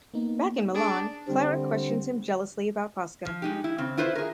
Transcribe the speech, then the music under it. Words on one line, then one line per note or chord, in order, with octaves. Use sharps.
Back in Milan, Clara questions him jealously about Fosca.
A#3 B3 D#4
D4 G#4 D#6
D3 G3 C4
F3
G#3 D#4 G4
E4
C#3 C4
E4 F4 B4 C5 D5 E5
G#4 A#4